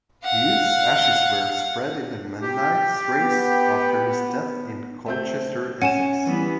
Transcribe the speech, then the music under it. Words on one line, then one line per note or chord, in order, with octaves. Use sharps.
Hughes' ashes were spread in the Menai Straits after his death in Colchester, Essex.
F5 F#5
G4
B3
A3 C4 G6
C#4 F#5 G#5 D#7 E7
E3 G3 B3